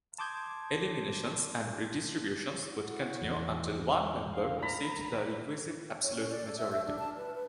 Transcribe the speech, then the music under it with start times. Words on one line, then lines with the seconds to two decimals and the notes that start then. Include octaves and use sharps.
Eliminations and redistributions would continue until one member received the requisite absolute majority.
0.19 A5 C6 D6 D#6 G6 G#6
2.70 E4 F#4
3.21 E2 E3 F3
4.33 D4 F5
4.62 A#5 B5
6.02 C#5
6.15 C#4
6.30 D5
6.46 A4
6.58 E5
6.72 E5
6.86 D4
6.99 A5
7.16 B4
7.35 B4